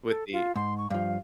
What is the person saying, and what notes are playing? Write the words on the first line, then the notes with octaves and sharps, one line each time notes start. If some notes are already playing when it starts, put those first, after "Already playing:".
With the
A4
F4
G#2 C6
C#6
G2 F3 F5